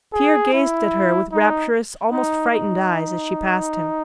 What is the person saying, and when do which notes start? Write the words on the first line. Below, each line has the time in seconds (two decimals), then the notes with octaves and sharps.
Pierre gazed at her with rapturous, almost frightened, eyes as she passed him.
0.13 G#4
0.54 E4
1.32 D#4
2.12 D#4
2.51 D#4